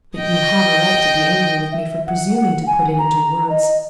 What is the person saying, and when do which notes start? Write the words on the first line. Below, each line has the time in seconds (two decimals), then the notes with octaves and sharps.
But you have a right to be angry with me for presuming to put it into words.
0.18 D#5 G5
1.72 E5
2.07 F#5
2.37 F#5
2.67 G#5
2.98 A#5
3.50 D#5